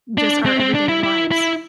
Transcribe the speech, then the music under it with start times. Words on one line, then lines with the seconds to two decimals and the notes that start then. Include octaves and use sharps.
just our everyday lives.
0.18 D4
0.46 C4
0.60 C4
0.74 D4
0.89 E4
1.03 E4
1.31 E4